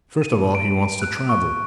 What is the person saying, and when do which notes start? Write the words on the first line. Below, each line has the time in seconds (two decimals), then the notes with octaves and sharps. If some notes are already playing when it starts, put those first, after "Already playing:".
First of all he wants to travel.
0.22 D#7
0.55 D7
1.02 F#6
1.29 C#6